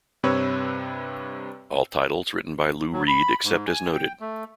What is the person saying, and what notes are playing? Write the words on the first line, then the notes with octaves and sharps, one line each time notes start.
All titles written by Lou Reed except as noted.
G2 C3 C4 B4 C#5 E6
F#3
B5
G#2
G#5
G5
A3